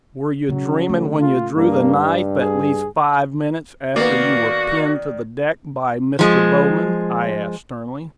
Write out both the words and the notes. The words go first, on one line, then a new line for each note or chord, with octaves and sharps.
"Were you dreaming when you drew the knife, at least five minutes after you were pinned to the deck by Mr. Bowman?" I asked, sternly.
C#3 F#3
A3
F4
G2 A#3
G3
G#4
D#3 A#3 B3 F#4 D5
F3 G#3